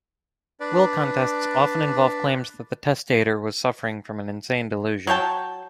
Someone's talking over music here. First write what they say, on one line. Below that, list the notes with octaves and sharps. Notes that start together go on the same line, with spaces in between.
Will contests often involve claims that the testator was suffering from an insane delusion.
D4 B4 D5
F#3 C#5 G5 A5